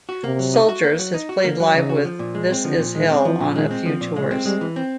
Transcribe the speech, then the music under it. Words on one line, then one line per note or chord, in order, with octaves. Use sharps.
Soldiers has played live with This Is Hell on a few tours.
F#4
C3 A#3
F#3
D#4
F#4
A#3
F#3
D#4
F#4
D3 A#3
F#3
C#3 D#4
F#4
F3
A#2
G#3
C4
D3 F3
A#2
D#3 G#3
C4
E3 F3
A#2
D#3 G#3
C4
D3 F3
A#2
C#3 G#3
C4
G3 G#3
E3
C4